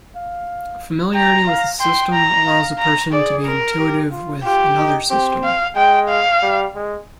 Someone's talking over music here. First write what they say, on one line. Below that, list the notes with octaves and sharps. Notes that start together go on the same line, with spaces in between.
Familiarity with a system allows a person to be intuitive with another system.
F5
G5 A#5
F5
G5 C6
A#5
F5
A#5
G#4 D5
A#4
G4
F4
F4 G4
D#4
C4 G4
F5
G#3 G5
F5
G3
G#3